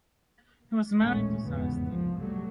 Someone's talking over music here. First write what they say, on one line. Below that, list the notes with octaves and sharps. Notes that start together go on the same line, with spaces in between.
He was married to Sarah Still.
A1 D#2 A#2 G#3 A3 C#4
F1 E2 G#2 C#3 E3 B3
C2 F3
F#3 G3 A3